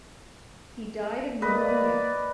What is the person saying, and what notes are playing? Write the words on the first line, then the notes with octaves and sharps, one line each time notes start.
He died of pneumonia.
A#3 B4 D5 D#5